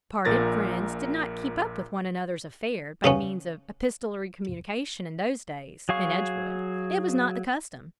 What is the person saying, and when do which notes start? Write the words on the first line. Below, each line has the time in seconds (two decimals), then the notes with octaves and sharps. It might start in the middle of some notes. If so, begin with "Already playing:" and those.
Parted friends did not keep up with one another's affairs by means of epistolary communication, in those days, in Edgewood; it was not the custom.
0.25 A#1 A#2 A#4 A6 A#6
3.04 C#3 B3 C#4
5.89 F#3 G#4 F5 C#6